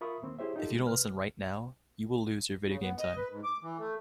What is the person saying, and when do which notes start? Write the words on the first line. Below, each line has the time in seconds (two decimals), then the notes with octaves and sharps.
If you don't listen right now, you will lose your video game time.
0.01 F4 A#4 E5 B5 C#6 D#6
0.22 D#2 D#3 A#3 C4
0.39 E4 G4 G#4 C5 C#5 E5
0.56 D#4 F4 G4 A4
0.70 C#3 G#3
0.86 E2 C3 B4 F6
2.67 C#3
2.82 B3
2.99 D#5
3.17 B4
3.30 G#2
3.44 D6
3.63 E3
3.78 A3